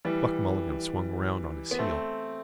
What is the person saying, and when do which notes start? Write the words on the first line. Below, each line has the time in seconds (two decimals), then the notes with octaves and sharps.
Buck Mulligan swung round on his heel.
0.05 E3 G3
1.71 B3
1.79 A3 C4